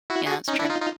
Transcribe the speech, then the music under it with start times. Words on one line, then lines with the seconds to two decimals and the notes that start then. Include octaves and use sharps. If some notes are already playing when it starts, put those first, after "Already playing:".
Yeah, that's true.
0.10 E4 F#4
0.26 F#4 G#4
0.48 C#4 D#4
0.59 D4 E4
0.70 D#4 F4
0.81 D#4 F4